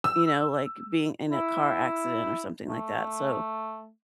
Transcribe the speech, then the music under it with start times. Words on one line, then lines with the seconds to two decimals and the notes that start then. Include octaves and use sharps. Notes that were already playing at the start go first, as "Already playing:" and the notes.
you know, like being in a car accident or something like that. So,
0.04 E6
1.31 E4
2.68 A3